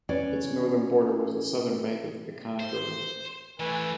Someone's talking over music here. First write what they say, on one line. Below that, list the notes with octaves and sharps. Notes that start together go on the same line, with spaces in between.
Its northern border was the southern bank of the Peconic River.
C#4 B4 D5
C5
E3 A3 B4 G#5